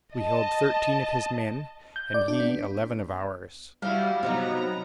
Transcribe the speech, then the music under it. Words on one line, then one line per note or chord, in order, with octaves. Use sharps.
We held thirteen of his men, and he eleven of ours.
D#5 A5
G6
D5
D4
B3
G3 E4 F#4 F5
C3 F#3 B3 D#4 A#5